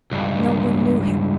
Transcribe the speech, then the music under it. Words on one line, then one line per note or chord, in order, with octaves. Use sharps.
No one knew him.
C#2 G2